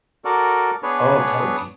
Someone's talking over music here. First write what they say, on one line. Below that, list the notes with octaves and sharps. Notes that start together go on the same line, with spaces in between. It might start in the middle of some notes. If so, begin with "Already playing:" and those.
Oh, that would be
F#4 A4 A#4 D5
B3 D4 G#4 B4 C#5